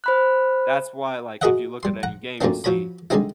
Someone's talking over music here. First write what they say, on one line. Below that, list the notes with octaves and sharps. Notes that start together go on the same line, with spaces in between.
That's why, like, if you look at any game, you see
C5 B5 F#6
F#4 G#4 A#4 D#5 E5 F#5
G3 C6
F#5 A#5
F#2 A#2 A3 A#3 C4 D4
F3 F#3 C#5 A#5 B5
D3 G3 G#3 C4 D#4 E4